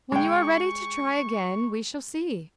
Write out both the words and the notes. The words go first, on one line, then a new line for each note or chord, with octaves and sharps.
"When you are ready to try again, we shall see."
G#3 G5 C#6